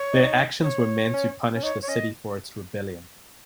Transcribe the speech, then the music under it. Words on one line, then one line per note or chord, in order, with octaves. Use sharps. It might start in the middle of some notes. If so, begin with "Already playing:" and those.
Their actions were meant to punish the city for its rebellion.
Already playing: C#5
D#4
C#5
C#4
C#4
D#4 C#5
C#5
C#4 D#5